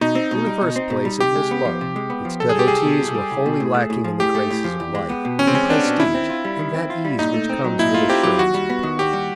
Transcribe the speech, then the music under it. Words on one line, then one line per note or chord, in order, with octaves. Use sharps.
In the first place it was low; its devotees were wholly lacking in the graces of life, in prestige, and that ease which comes with assurance of power.
B2 D#4
C4
B2
G3
B2
C4
B2
G3
C3 G4
G#3
B3
F3
C3
G#3
B3
F3
C2 A4
G#4
G3 G4
C2 G#4
B2
C2
G3
C2
B2
A2
A3
A2
F3
A2 G4
A3
A2
F3
E2
G#3
B3
B2
E2 C#4
C4
G#3 C#4
B3 D4
B2
D#3 E4
C4
F4
G3
D#3
C4
F4
G3
A#2 D#4
A3
C4
F#3
A#2 E4
A3 F4
C4 G4
F#3 G4
D#2 F#4
G3
B3
D#3
D#2 G4
G3